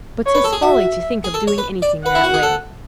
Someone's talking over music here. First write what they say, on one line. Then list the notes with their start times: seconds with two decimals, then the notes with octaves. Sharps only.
But 'tis folly to think of doing anything that way.
0.26 C#5
0.35 B4
0.44 A4
0.53 G#4
0.62 F#4 E5
1.24 G#4
1.34 A4
1.47 C#5
1.58 B4
1.82 D5
2.06 B4 F#5
2.15 E4
2.24 F#4
2.34 G#4
2.43 A4